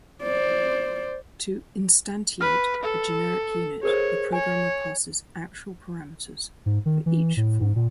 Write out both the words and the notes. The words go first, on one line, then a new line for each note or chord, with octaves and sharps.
To "instantiate" a generic unit, the programmer passes "actual" parameters for each formal.
C5 D5
B4 F6
A4
G#4 A#4 C5 C#5
C#5 G#5
G#2
D#3
E3
A2
G#2
A#2